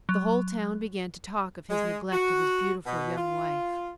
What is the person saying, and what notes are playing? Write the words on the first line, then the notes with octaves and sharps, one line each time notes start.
The whole town began to talk of his neglect of his beautiful young wife.
F#3
G#3
F#4
B2
F4